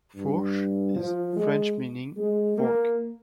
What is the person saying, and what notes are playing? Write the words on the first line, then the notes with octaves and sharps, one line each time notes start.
"Fourche" is French meaning "fork".
G2
F3
G#3
G#3
A#3